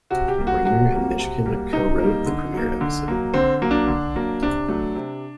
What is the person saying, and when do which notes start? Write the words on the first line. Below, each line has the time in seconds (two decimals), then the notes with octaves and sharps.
Reiner and Mishkin co-wrote the premiere episode.
0.10 C3 F#4
0.28 G4
0.38 G3 A#3
0.47 F#4
0.65 C3 F#4
0.92 G3 A#3
1.19 C3
1.46 G3 A#3
1.73 C3 D#4
1.99 G3 A#3
2.26 D3
2.53 F#3 A#3
2.81 D3
3.08 F#3 A#3
3.34 D3 C4
3.62 F#3 A#3
3.71 D4
3.88 D3
4.15 F#3 A#3
4.42 C3 D4
4.68 F#3 A3
4.95 C3